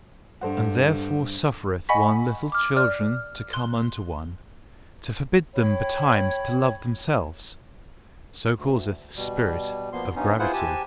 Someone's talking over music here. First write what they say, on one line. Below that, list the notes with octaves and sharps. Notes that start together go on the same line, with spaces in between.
And therefore suffereth one little children to come unto one, to forbid them betimes to love themselves--so causeth the spirit of gravity.
G2 A4 C5 F#5
D#5 F#5 G#5 B5 C#6 B6
D6 F6
D5 F6 F#6
C6 F#6 G7
C#5 G5 B5
D2
B2 G3
F3 A#3 B3 C6
G2 B3 C#4 D#4
E4 F4 G#4 B4 C5 F#5
G4 G#5 A5